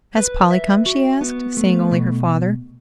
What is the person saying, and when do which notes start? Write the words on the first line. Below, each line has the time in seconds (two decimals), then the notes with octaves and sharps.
"Has Polly come?" she asked, seeing only her father.
0.17 B4
0.51 E5
0.86 F#4
1.21 B3
1.57 A3
1.91 B2